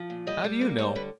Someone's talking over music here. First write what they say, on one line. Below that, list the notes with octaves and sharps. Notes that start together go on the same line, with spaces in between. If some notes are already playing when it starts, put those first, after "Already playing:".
How do you know?
Already playing: F3
A#2
G3 D#5
G3
A#3
G3 C#5
D3 B4